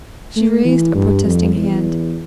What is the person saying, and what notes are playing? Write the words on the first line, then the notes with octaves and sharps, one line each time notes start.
She raised a protesting hand.
A3
E3
G2
F2
E2